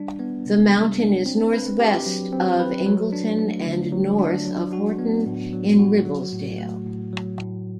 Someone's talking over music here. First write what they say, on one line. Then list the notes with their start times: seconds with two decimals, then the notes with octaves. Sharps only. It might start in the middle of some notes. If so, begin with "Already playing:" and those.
The mountain is north west of Ingleton and north of Horton-in-Ribblesdale.
Already playing: G3 D4
0.19 B3
0.46 C3
0.73 G3
0.99 D4
1.26 C4
1.53 B4
1.80 G4
2.06 F#3
2.33 C4
2.60 B4
2.86 F#3
3.13 D4
3.39 A3
3.66 D3
3.92 F#3
4.19 D4
4.45 F#3
4.73 F#4
4.99 B3
5.26 A2
5.53 F#3
5.79 F#4
6.06 F#3
6.33 A2
6.59 A3
6.86 A2
7.13 F#3
7.39 A2